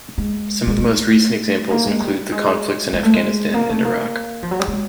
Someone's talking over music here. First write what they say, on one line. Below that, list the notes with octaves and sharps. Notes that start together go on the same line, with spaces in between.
Some of the most recent examples include the conflicts in Afghanistan and Iraq.
G#3
G#3
A3
A#3
G#3
G3
G#3
G#3
A3
G#3
A#3
A3
A#3
F3
F#3
G3
G#3